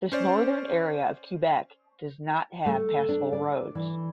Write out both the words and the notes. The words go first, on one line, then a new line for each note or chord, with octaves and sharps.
This northern area of Quebec does not have passable roads.
C#4 C5 D5
A3
D4
D5
E3